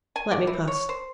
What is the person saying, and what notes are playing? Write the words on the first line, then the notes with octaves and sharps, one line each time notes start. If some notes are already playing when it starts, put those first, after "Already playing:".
Let me pass.
G#5
D5
E3
C#5
C5